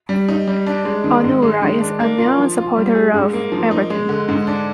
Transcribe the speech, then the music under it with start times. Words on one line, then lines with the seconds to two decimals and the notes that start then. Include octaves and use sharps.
Onuora is a known supporter of Everton.
0.09 G3
0.28 D#4
0.47 G3
0.66 D4
0.85 G#3
1.04 D#3
1.24 G#2
1.42 G#3
1.62 D#3
1.81 D4
2.00 A#3
2.18 F4
2.38 F3
2.57 F4
2.76 G3
2.95 G#4
3.14 G#2
3.33 A#3
3.52 F3
3.71 D#4
3.90 G#3
4.09 D3
4.28 G#2
4.47 D4